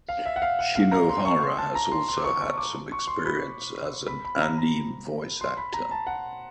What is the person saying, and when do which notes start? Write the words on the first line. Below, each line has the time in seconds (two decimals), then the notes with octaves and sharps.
Shinohara has also had some experience as an anime voice actor.
0.09 F5
0.25 E5
0.36 F#5
0.42 F5
0.59 F#5
0.75 F5
0.92 A#5
1.09 C6
1.25 C#6
1.42 C6
1.58 A5
1.75 A#5
1.92 C6
2.08 C6
2.17 D6
2.24 C#6
2.42 C#6
2.58 D6
2.92 C#6
3.07 C6
3.25 B5
4.07 B5
4.25 B5
4.41 A#5
4.58 A#5
5.41 C6
5.57 B5
5.74 A#5
5.91 A5
6.07 F#5